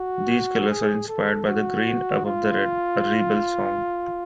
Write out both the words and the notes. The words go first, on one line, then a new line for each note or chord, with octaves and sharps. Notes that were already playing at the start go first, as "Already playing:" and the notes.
These colours are inspired by "The Green Above The Red", a rebel song.
Already playing: F#4
G#4
A4
F#4
F4